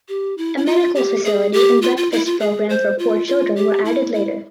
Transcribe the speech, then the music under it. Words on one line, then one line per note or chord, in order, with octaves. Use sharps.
A medical facility and breakfast program for poor children were added later.
G4
E4
E4
F4
G4
G#4
G4
F4
F4
E4
F4
G#4
C5
F4
F4
G4
E4
E4